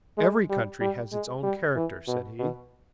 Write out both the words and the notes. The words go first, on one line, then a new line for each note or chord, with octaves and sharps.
"Every country has its own character," said he.
G#3
G3
G3
G#3
G3
E3
B2
B2